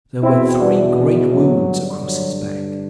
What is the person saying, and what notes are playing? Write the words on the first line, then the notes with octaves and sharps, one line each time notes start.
There were three great wounds across his back.
E2 B2 C4 E4
B3 D4
E3
F#3
G2 D3
F#3